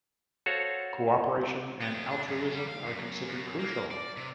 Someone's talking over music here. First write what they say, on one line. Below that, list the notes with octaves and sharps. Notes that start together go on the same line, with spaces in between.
Cooperation and altruism are considered crucial.
F#4 A4 C5 C#5 F5 F#5
B3
F2
D4
F#2
G3
F5
F#2
F#2
A#3
D5
C3